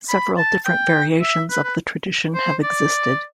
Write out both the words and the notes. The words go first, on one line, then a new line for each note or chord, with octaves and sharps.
Several different variations of the tradition have existed.
B5
A5
G5
E5
B4
B4
C5
D5